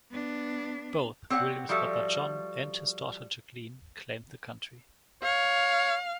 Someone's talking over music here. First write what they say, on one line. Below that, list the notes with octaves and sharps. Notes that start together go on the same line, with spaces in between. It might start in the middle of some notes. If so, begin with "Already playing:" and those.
Both William's brother John and his daughter Jacqueline claimed the county.
B3 D4
C4 G4 C#5 F#5
F3 G3 F#4 A4 E5
C#5 F5